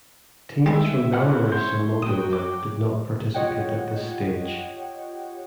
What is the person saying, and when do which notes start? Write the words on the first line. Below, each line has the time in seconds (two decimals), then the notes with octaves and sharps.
Teams from Belarus and Moldova did not participate at this stage.
0.66 G3 G#3 E5
1.13 C4 C#4 E4 F#5 F6 F#6
1.52 C#5 C6 G6
2.02 F#3 F#4 G5 D#6
2.33 D6
3.34 F4 G4 C#5 D#5 F#5 G5